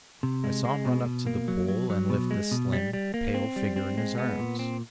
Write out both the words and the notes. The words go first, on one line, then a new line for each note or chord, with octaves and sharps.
I saw him run up to the pool and lift the slim, pale figure in his arms.
C3
G#3
G#3
B2
B2
A#3
F#3
F#3
F#3
B2
G#3
B2
G3
G3
A#3
C4
G3
C4
G#3
B3
A#2
C4